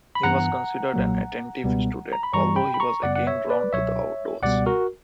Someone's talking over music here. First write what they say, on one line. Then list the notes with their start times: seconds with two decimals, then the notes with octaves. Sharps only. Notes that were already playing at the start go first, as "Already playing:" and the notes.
He was considered an attentive student, although he was again drawn to the outdoors.
0.15 B5
0.23 G2 E3 B3 F#5 A#5
0.94 B1 A#2 F#3 A#3
1.64 C#2 B2 G3 B3
2.13 A#5
2.23 B5
2.34 G2 E3 G3 A#5 C#6
2.56 G5 B5
2.74 B5
2.80 A#5 C#6
3.03 F#2 C#3 G3 B3 D5 F#5
3.16 F#5
3.27 C#5 E5
3.50 B4 D5
3.73 C#2 B2 F#3 C#5 E5
4.43 C#2 B2 G3 B3 D5 F#5
4.66 F#4 A#4